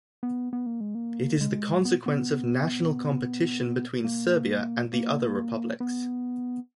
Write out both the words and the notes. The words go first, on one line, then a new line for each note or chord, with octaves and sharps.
It is the consequence of national competition between Serbia and the other republics.
B3
B3
A#3
G#3
A#3
G#3
B3
B3
A#3
A#3
B3